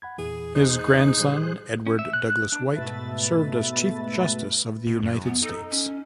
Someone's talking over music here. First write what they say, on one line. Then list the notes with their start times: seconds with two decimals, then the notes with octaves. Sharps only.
His grandson, Edward Douglass White, served as Chief Justice of the United States.
0.02 F#5 B5 G#6
0.18 E2 A#2 E3 G#4
0.55 D#4 G#4 C5 F#6
1.17 A#2 E3 G3
1.87 C#4
1.99 E5
2.13 F#6
2.30 F#6
2.52 D4
2.75 G#2 B2 A3 B4 E5 A6
4.87 B2
5.03 F#2
5.25 B3
5.42 D#4 A4
5.70 C#4